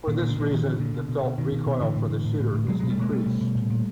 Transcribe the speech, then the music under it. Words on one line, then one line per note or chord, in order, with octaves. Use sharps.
For this reason the felt recoil for the shooter is decreased.
A#2 D#3
A#2 D#3
D3
A#2 D#3
A#2 D#3 F3
A#2 D3 E3
A#2 D3
B2
B2
B2
B2 D#3
B2
B2
A2 D3 E3
A2
A2
A2
A2
A2
B2 F#3 G#3
B2 F#3 G#3
G3 A3
B2 G#3 A#3
B2 G3 A3
B2
B2
A#2
A#2